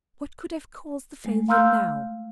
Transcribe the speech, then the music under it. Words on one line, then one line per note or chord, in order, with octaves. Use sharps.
What could have caused the failure now?
G#3 A3
F5 A#5 C6 E6 F6 G6